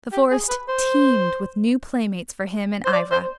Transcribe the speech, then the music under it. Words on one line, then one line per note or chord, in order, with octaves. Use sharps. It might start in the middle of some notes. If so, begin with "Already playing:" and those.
The Forest teemed with new playmates for him and Ivra.
G4
G#4
B4
C5
C5
D5
C5